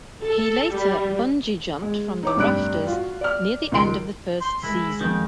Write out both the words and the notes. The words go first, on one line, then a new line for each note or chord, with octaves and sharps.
He later bungee-jumped from the rafters near the end of the first season.
A4
G3
G#3
D#4 C#5 D6
F1 G2 G3 F#6 D7
F4 F#4
D5 F6
C#2 D#3 C6 D7
C6
G#3 E4
F2 D#3 G5